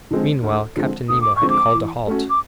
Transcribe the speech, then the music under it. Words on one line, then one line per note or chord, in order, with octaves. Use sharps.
Meanwhile Captain Nemo had called a halt.
D3 F3 G#3 C4
D2
D3 F3 G#3 C4
D2 D#6
D6
C#6
D3 F3 G#3 C4
D6
E3
A3 C#4 F#4
D6